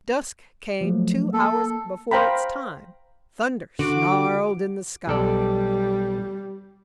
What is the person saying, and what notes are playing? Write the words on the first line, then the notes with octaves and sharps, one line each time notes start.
Dusk came two hours before its time; thunder snarled in the sky.
F3 F#3 A3
A#3 A4
C5 F5 G5 A#5 B5
D3 F#4 D6
B1 G3 A4 D5